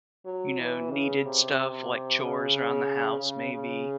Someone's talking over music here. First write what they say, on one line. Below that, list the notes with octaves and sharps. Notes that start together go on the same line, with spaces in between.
you know, needed stuff, like chores around the house maybe,
F#3
E3
C#3
C3
C#3
C#3
C#3